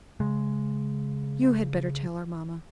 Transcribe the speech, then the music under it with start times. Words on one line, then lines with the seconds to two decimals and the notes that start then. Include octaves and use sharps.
"You had better tell her, mamma."
0.20 C#3 G#3